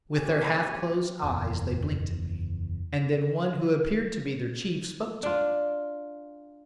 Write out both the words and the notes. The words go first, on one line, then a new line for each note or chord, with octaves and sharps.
With their half-closed eyes they blinked at me, and then one who appeared to be their chief spoke to me.
G#1 D#2 C#4 G4 C#5 G#5
F#1 E2
D4 F4